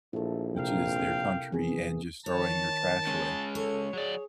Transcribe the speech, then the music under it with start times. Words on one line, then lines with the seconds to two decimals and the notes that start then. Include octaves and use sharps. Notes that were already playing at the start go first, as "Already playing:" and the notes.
which is their country- and just throwing your trash away.
0.13 A#1 E4 A4
0.57 C3 A#4 F5 G5
1.52 E3 B3 G#4
2.26 D#3 C#5 A5
3.07 G#3 C#4
3.55 A4 C#5
3.93 F#3 G#4 D5